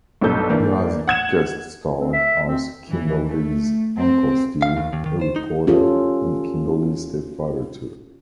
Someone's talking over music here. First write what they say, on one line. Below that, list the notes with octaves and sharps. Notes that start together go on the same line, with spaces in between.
He has guest-starred as Kimberly's Uncle Steve, a reporter, and Kimberly's stepfather too.
B1 G2 B2 A4 G6
E3 A#3 D4
F#5 G#6 E7
C4
E5
C4
E3
A3
C4
F5
D#2
D#2
D#3
C5
D#4
C#4 F4 G4 A4